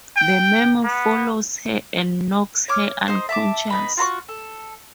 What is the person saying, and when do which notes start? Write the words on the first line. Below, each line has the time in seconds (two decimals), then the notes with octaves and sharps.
The Meme follows her and knocks her unconscious.
0.17 G5
0.84 B3
2.68 C#5 D6 F6
3.08 D#4 C5
3.29 E5 A5 D6
3.70 B3 D#4 B5
3.97 F4 F#4 B5 C#6
4.28 A4